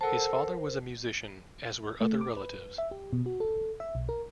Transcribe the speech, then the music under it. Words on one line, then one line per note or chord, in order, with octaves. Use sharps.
His father was a musician, as were other relatives.
A4 A#4 C5 F#5 A5
A3
D6
B4
E5
G4
B2
F#4
A4
E5
B1
A#4